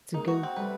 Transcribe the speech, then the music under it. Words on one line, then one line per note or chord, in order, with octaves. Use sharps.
to go
G#3 A#3 D#4
F#4
C4
G3 A3 B4